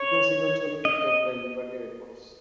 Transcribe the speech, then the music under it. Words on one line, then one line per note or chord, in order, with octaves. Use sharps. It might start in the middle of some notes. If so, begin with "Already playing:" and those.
It was eventually picked up by Liberty Records.
Already playing: C#5
D#5